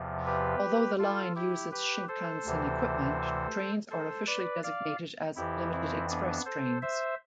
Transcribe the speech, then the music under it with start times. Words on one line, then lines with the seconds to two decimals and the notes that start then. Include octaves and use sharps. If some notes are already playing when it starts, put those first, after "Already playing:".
Although the line uses Shinkansen equipment, trains are officially designated as limited express trains.
Already playing: E2 C3 F3
0.26 G4 B4
0.99 F4 A4
1.36 E4 G4
1.72 G4 B4
2.08 A4 C5
2.45 D2 C3 E3
3.90 A4 C5
4.27 B4 D5
4.63 D5 F5
5.36 F2 E3 E4 G4
5.73 C4 E4
6.09 B3 D4
6.46 A4 C5
6.82 C5 E5